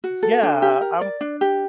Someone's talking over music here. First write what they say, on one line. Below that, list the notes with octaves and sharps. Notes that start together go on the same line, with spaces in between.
yeah, I'm
F#4
A4
D4
G4
A#4
D5
D4
G4